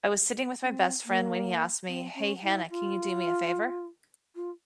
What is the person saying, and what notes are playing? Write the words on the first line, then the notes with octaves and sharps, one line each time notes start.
I was sitting with my best friend when he asked me, "Hey Hannah, can you do me a favor?"
C#4
C4
A#3
C4
C#4
E4
F4
F4